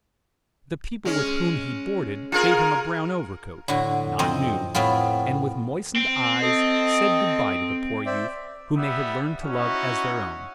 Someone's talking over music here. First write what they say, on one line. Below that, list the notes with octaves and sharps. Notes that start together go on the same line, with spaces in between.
The people with whom he boarded gave him a brown overcoat, not new, and with moistened eyes said good-by to the poor youth whom they had learned to love as their own.
G#3 C#4
F4 G#4 A#4
A2 D3 F#4
F2 C4 D#5
A2 B3 C4 F4
C4
A4 D#5
C5 D5 E5
G3 B3 E5
C#4 D#4 E4 F#4